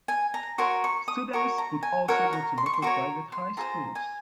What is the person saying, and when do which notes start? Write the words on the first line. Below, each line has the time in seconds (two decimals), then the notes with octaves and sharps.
Students could also go to local private high schools.
0.08 G#5
0.34 A#5
0.58 F#4 A#4 C#5 C6
0.84 C#6
1.08 D#6
1.33 F#4 A#4 C#5 C#6
1.58 A#5
1.83 G#5
2.08 F#4 A#4 C#5 F#5
2.33 A#5
2.58 C6
2.66 C#6
2.73 C6
2.82 F#4 A#4 C#5 C#6
3.32 C6
3.57 F4 G#4 C5 A#5
3.95 G#5